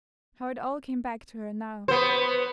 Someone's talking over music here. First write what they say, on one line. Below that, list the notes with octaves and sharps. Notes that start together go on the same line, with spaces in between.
How it all came back to her now!
B3 C5